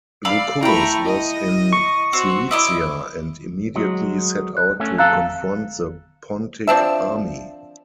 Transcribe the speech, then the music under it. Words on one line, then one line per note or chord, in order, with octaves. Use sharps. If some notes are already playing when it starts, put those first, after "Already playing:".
Lucullus was in Cilicia and immediately set out to confront the Pontic army.
D5 F5 B5 E6
A3 E4 G5 A#5 B5
D#5
C#6
C4 F#4
E4 D#5 E5 D6
F#3 G#3
F#6
A3 C#4
F2 A4 F5 A#5 F#6
F3 C4 D4 E5